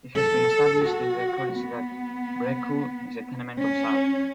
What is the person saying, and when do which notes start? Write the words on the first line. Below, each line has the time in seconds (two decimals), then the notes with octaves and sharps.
It has been established in the courts that Brecqhou is a "tenement" of Sark.
0.16 A4
0.85 F#4
1.53 B3
3.58 C#4